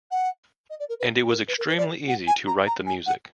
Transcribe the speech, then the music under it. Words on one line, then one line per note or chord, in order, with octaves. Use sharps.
And it was extremely easy to write the music.
F#5
D#5
D5
A#4
B4
A#4
B4
A#4
B4
D5
F#5
G#5
A#5
A#5
G#5
F#5